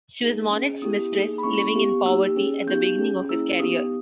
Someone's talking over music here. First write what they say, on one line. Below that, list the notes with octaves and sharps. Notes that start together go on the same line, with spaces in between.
She was Monet's mistress, living in poverty at the beginning of his career.
A#3 D#4 G#4
C#4 G#4
B3 E4 G4 D#6
A#3 D#4 G#4
B5
A#3 C#4 E4 G#4 C#6
C#6
B3 G4
A#3 D#4 G4 E6
C#4 G#4
B3 D#4 G4 G6
C#4 G#4
A#3 C#4 E4 G#4 E6
B3 D#4 G4 D#6